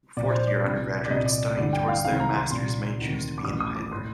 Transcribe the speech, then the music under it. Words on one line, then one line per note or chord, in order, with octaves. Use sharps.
Fourth year undergraduates studying towards their Masters may choose to be in either.
A#1 A#2 D5
C5
D5
C2 A#2
D5
C2 A#2 D#5
D5
G1 G2 D3 D5
G5
F5
C2 C3 D#3 F5
A#5
C6
C2 A#2 C6
D2 C3 D#3
D6
A1 A2 D#6
D#6
D6
A2 C6